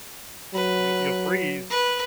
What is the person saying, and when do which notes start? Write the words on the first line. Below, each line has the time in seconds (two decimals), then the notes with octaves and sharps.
you’ll you'll freeze.
0.54 F#3 B4
1.70 B4